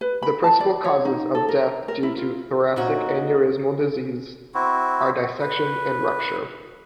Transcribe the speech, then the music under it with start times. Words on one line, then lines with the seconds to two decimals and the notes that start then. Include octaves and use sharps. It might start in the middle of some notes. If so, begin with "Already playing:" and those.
The principal causes of death due to thoracic aneurysmal disease are dissection and rupture.
0.01 B4
0.23 B5
0.44 A5
0.60 D5
0.84 C#5
1.05 D#4
1.35 A4
1.49 A#4
1.88 A#4
2.03 E4
2.17 F4
2.76 A#2 C#4 D#4 F#4
4.55 C4 E4 F#4
5.40 B4